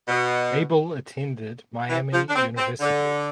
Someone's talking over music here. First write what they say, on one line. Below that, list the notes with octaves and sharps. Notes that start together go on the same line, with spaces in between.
Abel attended Miami University.
B2
E3
F3
D4
C4
C4
D3